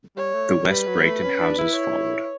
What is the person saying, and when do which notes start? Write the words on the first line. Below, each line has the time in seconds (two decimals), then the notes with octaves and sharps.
The West Brighton Houses followed.
0.16 G3 C#5
0.34 A3
0.51 G3
0.69 G3 B4
0.87 F#3
1.04 A3
1.23 C#4
1.41 D4
1.58 E4
1.75 C#5